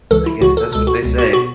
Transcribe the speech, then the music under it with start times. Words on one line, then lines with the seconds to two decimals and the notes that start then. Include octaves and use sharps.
I guess that's what they say.
0.11 C#2 C#3 E3 A4
0.26 E4
0.41 C#2 C#3 E3 F#4
0.57 A4
0.72 C#2 B2 A4
0.87 F#4
1.03 C#2 B2
1.18 F#4
1.33 B2 F#4